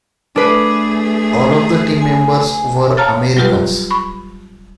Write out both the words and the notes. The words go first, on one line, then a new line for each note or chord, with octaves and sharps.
All of the team members were Americans.
A3 D4 G#4 B4
G#5
C#5 F5 A5 A#5 F6 A6
F#3 G3 F4 G4 B4
B5 C#6